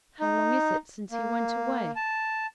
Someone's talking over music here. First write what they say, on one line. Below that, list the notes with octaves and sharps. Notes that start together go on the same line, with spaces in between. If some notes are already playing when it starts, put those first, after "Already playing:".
'How long is it since he went away?'
D#4
A#3
A5